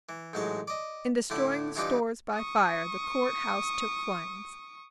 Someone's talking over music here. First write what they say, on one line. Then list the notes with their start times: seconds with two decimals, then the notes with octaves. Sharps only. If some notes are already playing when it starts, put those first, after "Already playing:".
In destroying the stores by fire the court-house took flames.
0.09 E3
0.33 A1 G#2 F#3 G#3 A5 C#6
0.68 D5 D#5
1.30 A2 D3 A3 E4 A5 B5
1.76 G2 E3 D#4 F4 B4 D5
2.34 C#6 D#6